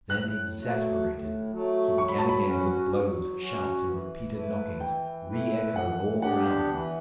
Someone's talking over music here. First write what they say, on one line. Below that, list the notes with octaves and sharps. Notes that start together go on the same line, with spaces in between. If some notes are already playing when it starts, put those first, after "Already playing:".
Then, exasperated, he began again with blows, shouts, and repeated knockings, re-echoed all around.
A2 F#6
F#3 A3
A2
F#3 A3
F#3 C#6
B5
A5
B5
C#4 F#4
F#3
C#4 F#4
E3
A3 E4 B4
E3 G5
A3 E4 B4
E3 F#5
B3 D4 G4 F#5
E3